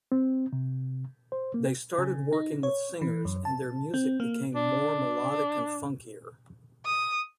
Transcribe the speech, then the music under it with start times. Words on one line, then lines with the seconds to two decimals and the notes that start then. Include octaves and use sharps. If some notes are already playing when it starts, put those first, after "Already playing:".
They started working with singers and their music became more melodic and funkier.
0.12 C4
0.53 C3
1.32 C5
1.54 A#3
1.98 C#3
2.33 D#4
2.63 C#5
3.02 E3
3.25 F#2
3.45 A5
3.94 C4
4.20 A#3
4.55 D4
6.85 D#6